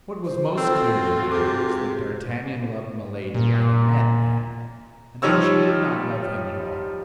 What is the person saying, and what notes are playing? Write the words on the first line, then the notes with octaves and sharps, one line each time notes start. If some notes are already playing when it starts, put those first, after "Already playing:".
What was most clear in the matter was that d'Artagnan loved Milady like a madman, and that she did not love him at all.
C5
C4 F4 F#4 A4 E6
C3 G#4 D6
A#2
F3 G3 D#4 C#5 E6